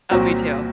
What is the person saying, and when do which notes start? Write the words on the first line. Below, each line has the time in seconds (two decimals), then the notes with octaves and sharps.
Oh, me too.
0.11 C2 A#2 F#3 C4 F#4